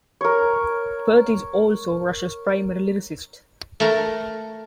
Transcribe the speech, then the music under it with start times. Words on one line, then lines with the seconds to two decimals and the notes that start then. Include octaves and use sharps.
Peart is also Rush's primary lyricist.
0.21 A#4 C#5
3.80 A3 A#4